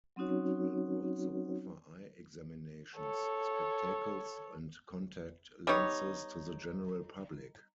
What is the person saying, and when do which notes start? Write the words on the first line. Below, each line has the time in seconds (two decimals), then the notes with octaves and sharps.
It will also offer eye examinations, spectacles and contact lenses to the general public.
0.16 F#3 C4 C#4 D#4 F#4 C#5
2.96 A4 C#5
5.67 G3 B3 D#4 C#5